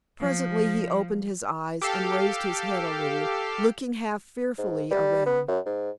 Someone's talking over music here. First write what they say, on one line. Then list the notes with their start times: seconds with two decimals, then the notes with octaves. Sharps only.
Presently he opened his eyes, and raised his head a little, looking half fearfully around.
0.20 F3
1.82 G4 A4 F5
4.58 G#2
4.91 G3
5.26 B3
5.48 F#2
5.66 G#2